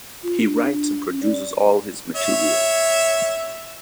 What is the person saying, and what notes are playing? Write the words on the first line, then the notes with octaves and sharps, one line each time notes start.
He writes and produces all his material.
F4
D4
C#4
D5
C#5 E5